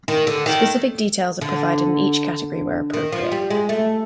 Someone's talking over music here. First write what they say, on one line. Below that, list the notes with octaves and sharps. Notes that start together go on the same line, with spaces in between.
Specific details are provided in each category where appropriate.
D#3
D3
D#3
D3
D#3
F3
G3
G#3
A3